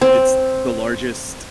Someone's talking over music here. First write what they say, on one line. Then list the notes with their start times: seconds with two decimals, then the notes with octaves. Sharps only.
It's the largest
0.01 C4